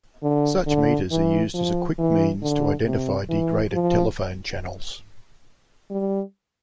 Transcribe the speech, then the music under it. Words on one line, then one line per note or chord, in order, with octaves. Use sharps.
Such meters are used as a quick means to identify degraded telephone channels.
D3
D3
E3
F3
E3
D3
C3
E3
F3
G3